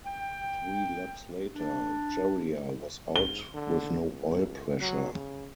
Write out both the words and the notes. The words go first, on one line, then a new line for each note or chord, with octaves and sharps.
Three laps later, Jarier was out with no oil pressure.
G5
D4
G#2 G7
D3
C#2
F#3
C#3